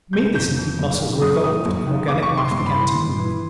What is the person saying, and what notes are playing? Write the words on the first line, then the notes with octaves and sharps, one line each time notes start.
To meet this need muscles were evolved, and organic life began to move.
C3 G6
F2 G6
F2
F#2
D#3
F#2 D#6
D#3 D#6
F#2
D#3
F#2 D6
C#6
D#3
C6
G2 C6
B5
E3
C6
G2
E3